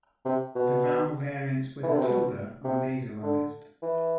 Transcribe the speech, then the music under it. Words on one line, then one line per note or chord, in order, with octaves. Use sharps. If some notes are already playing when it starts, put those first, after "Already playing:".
The vowel variants with a tilde are nasalized.
C3
B2
E3
D3
C3
B2
C3
D3
E3